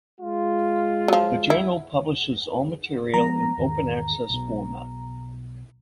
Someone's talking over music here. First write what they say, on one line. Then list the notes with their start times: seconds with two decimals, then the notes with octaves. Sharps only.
The journal publishes all material in open access format.
0.21 G#3 F4
1.08 F3 F#3
1.50 E4
3.14 F3 G#3 B3 A#5
3.57 E2 G#2 D#3
4.30 B1 B2